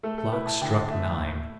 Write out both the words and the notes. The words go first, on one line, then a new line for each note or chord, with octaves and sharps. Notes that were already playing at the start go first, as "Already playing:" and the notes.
The clock struck nine.
A3 A4
A4
E4 B4
A5
D3 G5
A3 E5
A2